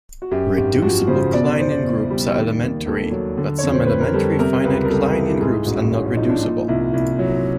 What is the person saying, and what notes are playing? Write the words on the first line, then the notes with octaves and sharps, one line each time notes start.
Reducible Kleinian groups are elementary, but some elementary finite Kleinian groups are not reducible.
F#4
F#2 G4
G#1 G4
F3 F#4
C#3 C5
B2 D5
D5
E2 C5
D5
E2
G3
D#3
D#2
D#2 A4
F#3
D3
F2 C#5
C5
F2 B4
A#4
G3 A4
A4
C3 A#4
C#2 B4
A#4
G3 A4
E3
G4
G#2 G#4
A1 F#4
A1 C#4
C#4
F3 D#4
D4
A#2 D#4
C2 E4
C2
F#3